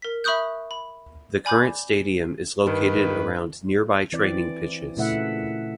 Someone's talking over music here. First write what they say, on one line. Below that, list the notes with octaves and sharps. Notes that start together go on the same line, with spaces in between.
The current stadium is located around nearby training pitches.
A#4 B6
E5 B5 C#6 D#6 F#6 G6
B5
D5 G#5 B5 D6 G6
G2 D#3 B4
E3 C4 D5
A#2 C#3 A3 E4 E5 F#5